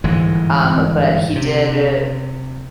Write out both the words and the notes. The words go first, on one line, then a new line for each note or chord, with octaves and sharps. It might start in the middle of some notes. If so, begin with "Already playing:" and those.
um, but he did, uh,
G1 G#2 E3 G#3
C3